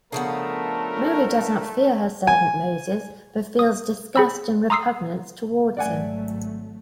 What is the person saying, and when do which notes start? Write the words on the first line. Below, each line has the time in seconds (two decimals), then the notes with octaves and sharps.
Mary does not fear her servant Moses but feels disgust and repugnance towards him.
0.12 C#3 F3 A3 B3 D4 A4 A#4
2.27 G#5
3.59 D#6
4.16 G#4 B5 E6
4.70 A#5 C6 D#6 E6 C7
5.77 G#1 F#3 A3 D5 F#5 G#5